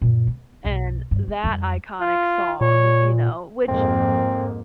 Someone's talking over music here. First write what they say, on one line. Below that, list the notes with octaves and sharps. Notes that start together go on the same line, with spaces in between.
and that iconic song, you know, which
F#2 A#2
B3
B1 F#2
G2
B3
F2 G3
F4
A#2 C#5
F2 G#2 A#3 C4